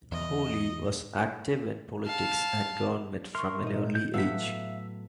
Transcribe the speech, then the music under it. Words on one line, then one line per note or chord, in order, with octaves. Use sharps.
Hawley was active in politics and government from an early age.
E2 D#5
F5 A5
A#4 E5 C6 C#6 F6
A#2 D#4 D#5
G6
A2 F#3 B3 E5 F5 E6 B6